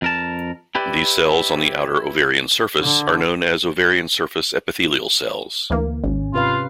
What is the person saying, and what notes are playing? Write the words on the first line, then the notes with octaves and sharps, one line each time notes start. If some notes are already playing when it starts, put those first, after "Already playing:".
These cells on the outer ovarian surface are known as ovarian surface epithelial cells.
F2 A#4 A5
E4 G4 B4 D5
D3
D2 E3 A#3
G#1 C#4
C3 F4 B4 F5